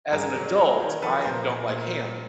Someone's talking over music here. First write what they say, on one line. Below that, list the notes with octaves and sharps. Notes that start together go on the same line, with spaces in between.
as an adult, I don't like ham,
G2 G#4 A#4
F#3
F#3
D#3
F3 A4 B4
A#2 A#4 C5
A#2
A#2